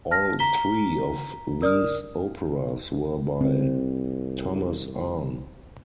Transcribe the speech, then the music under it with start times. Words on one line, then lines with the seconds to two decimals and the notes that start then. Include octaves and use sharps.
All three of these operas were by Thomas Arne.
0.11 A5 F6 A#6
0.39 A#5 B6 G7
1.62 A#4 D5 D#6 F6
3.41 C2 C4